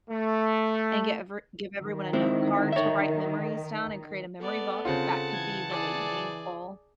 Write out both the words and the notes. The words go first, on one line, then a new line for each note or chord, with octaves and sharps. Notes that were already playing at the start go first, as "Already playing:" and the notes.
and get every give everyone a note card to write memories down and create a memory book, that could be really meaningful,
A3
D#3
G#3 C4 E4
C#5 E5
B3 A4 D5
C#3 C4 F4 F#5 A5
E3 G#6
G#4 D5